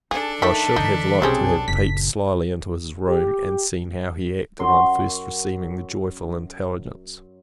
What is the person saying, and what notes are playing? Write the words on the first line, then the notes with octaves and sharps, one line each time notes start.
I should have liked to have peeped slyly into his room, and seen how he acted on first receiving the joyful intelligence.
D4 D#4 G#4 A4
D#3 A3 B6
D3 E3 D#4
B1 C3 G3 C4 C#4 G#4
F#1 A#2 B6
G4
F#2 F#3 C6